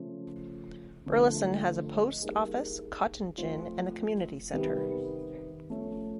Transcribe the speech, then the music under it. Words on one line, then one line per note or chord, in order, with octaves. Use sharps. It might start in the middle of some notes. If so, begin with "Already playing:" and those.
Burlison has a post office, cotton gin, and a community center.
Already playing: C#3 F3 A3
D3 F3 A3
G3 A#3 D#4 G#4
F3 A3 C4 F4
C3 D#3 G3 B3
F3 A3 C#4